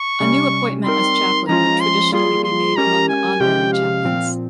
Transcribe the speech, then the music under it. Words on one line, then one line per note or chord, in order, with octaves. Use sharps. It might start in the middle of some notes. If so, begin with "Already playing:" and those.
A new appointment as chaplain would traditionally be made among the honorary chaplains.
Already playing: C#6
C3 G3 C#4
G3 C4 D#4 A#4 C6
F3 G#3 C#4 F4 A#5
C6
G3 A#3 F4 G#4 C6
C6
G#3 C#4 G4 A#4 A#5
G#5
C3 F3 G#3 C#4 G4 G5
F5
A#2 F3 C4